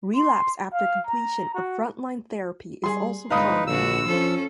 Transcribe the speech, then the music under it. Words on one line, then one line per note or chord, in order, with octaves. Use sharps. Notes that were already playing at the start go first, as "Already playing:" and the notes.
Relapse after completion of frontline therapy is also common.
C6
F5
A#5
F#4
G3 G#4 C6
G1 G#3 D#4 B4 F5 B5 D#6
A#1 D3 F#4 E6
F3 C#4 A4